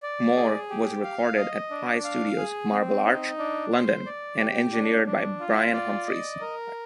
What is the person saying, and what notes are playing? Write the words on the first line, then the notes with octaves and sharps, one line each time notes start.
"More" was recorded at Pye Studios, Marble Arch, London and engineered by Brian Humphries.
D5
G#4
G4
F5
D#5
D4
F5
G#4
C4
D#4
D4
C5
D5
G4
D4
D4
F4
D5
D#5
A#4